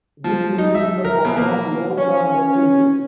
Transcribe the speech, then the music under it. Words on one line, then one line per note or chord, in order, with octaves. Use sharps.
This may be in the form of loans or mortgages.
F3
D#4
E5
A#4
B2
A#3
C#4